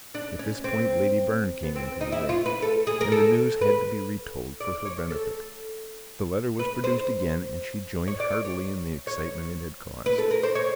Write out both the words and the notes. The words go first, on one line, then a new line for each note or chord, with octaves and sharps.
At this point Lady Byrne came into the room, and the news had to be retold for her benefit; the letter was produced again, and she joined heartily in the excitement it had caused.
D4
C#4
C4
B3
C4
D#4
E4
F4
B4
A4
G#4
A#4
A4
B4
D5
C#5
A4
B4
C5
C#5
D5
C#5
C#5
C#5
B4
A4
A#4
C5
C#5